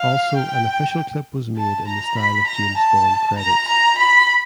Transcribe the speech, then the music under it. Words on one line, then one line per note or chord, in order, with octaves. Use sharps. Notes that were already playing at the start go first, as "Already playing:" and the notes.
Also an official clip was made in the style of James Bond credits.
Already playing: F5
G5
A5
A#5
B5
A#5
A5
A#5
A#5
B5